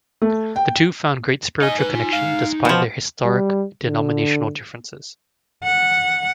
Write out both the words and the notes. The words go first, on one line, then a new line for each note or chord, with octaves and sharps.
The two found great spiritual connection despite their historic denominational differences.
A3
G5
D#4 D#5 G#5
B4
F4
F5
B2 F3 G5
G3
D3
F#5